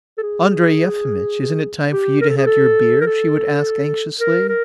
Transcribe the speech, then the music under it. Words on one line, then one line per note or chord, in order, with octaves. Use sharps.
"Andrey Yefimitch, isn't it time for you to have your beer?" she would ask anxiously.
A4
G#4
G4
A#4
A4
G#4
A4
A#4
A4
A#4
A#4